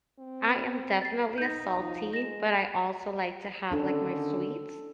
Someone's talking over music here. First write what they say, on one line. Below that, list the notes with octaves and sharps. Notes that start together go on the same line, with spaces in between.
I am definitely a salty, but I also like to have, like, my sweets,
C4
A6 C7
D#4 G6 A#6
F3
G#3 A#6 E7
D3 D#3 C#4 D4 A4